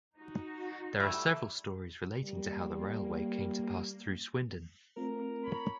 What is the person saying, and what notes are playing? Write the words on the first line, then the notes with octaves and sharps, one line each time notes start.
There are several stories relating to how the railway came to pass through Swindon.
D#4 F#4
G3 A3 E4
G3 A#3
A3 C4 F4 A#4
C#5 B5